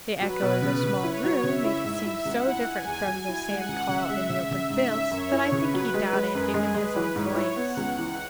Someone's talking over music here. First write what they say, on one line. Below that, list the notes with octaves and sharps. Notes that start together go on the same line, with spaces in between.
The echo of the small room made it seem so different from the same call in the open fields that I think he doubted even his own voice.
F#3 B4
B2
C#3
C#3
E4 C#5
F#3
C#3 E5
E4
G#2
E4
C#2 F#5
E4
E4 G#5
E2
F#3
E4
G#3 F#5
C#2
C#3 E5
G#3
C#3
C#3
G#2 E5
C#4
F#2 C#5
E4
C#3 B4
F#3
G#3
G#3
F#2 G#4
G#3
G#3 B4
E3
G#2 C#5
E4
B3 F#5
C#2
E3